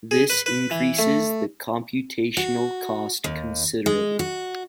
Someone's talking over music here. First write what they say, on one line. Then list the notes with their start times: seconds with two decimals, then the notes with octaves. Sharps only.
This increases the computational cost considerably.
0.11 G#4
0.30 B4
0.46 B4
0.71 E3
0.99 A3
2.37 F#4
3.24 D#2
3.86 G#3
4.19 F#4